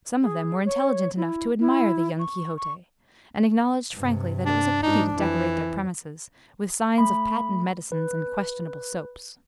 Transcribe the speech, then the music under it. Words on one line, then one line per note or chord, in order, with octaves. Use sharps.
Some of them were intelligent enough to admire the young Quixote, and acknowledged frankly that it was a pity to decorate their premises with signs of patent medicines and questionable soaps.
G#4
C#5
E4
E4
C#6
C#6
G2 C3
D4
G#2 D4 D#4
F2 E3
A3 B5
B4